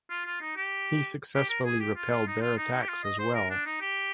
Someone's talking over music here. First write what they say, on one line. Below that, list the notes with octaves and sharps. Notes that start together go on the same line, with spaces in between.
He successfully repelled their attacks as well.
F4
F4
D#4
G4
G4
A#4
G#4
G4
F4
F4
D#4
F4
D#4
D#4
G4
F4
D#5
C5
A#4
D4
D#4
G4